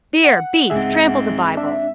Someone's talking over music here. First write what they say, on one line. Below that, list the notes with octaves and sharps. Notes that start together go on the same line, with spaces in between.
Beer, beef, trample the bibles.
F#5
C#2 G#2 C4 G#4 E5
D4 E5